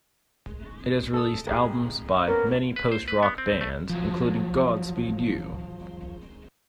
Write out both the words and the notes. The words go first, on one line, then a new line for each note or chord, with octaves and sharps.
It has released albums by many post-rock bands, including Godspeed You!
A4 D#6
A1 G4 G#4
A#3 B3 C#4 A#4
B4
C5
B4
B3
C4
A3
F3 F#3